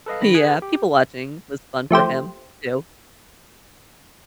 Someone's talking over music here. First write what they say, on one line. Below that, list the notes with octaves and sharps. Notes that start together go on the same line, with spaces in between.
Yeah, people watching was fun for him too.
A4 B4 D#5 F5
D#3 B5 A#6
G#4 B4 B5 G#6
G4
F3 A3 G4 C5